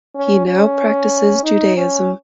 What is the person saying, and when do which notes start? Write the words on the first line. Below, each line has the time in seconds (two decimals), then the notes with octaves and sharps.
He now practices Judaism.
0.15 C#4
0.47 C#4
1.43 D#4
1.76 C#4